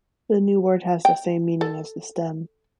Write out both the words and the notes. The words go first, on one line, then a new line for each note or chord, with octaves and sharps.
The new word has the same meaning as the stem.
G5
A4